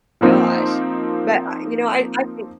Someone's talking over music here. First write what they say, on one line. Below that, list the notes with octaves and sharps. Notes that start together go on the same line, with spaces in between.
gosh, but I you know, I I think
F3 A#3 C4 D#4